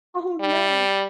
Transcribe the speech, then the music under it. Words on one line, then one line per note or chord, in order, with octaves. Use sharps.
Oh, no.
G3